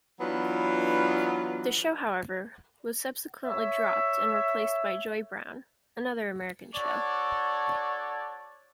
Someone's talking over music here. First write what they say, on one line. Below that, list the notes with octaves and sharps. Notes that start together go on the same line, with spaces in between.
The show, however, was subsequently dropped and replaced by Joy Browne, another American show.
E3 F#3 B3 D4 F4
C#5 E5
D4 F#4 A4 C#5 D5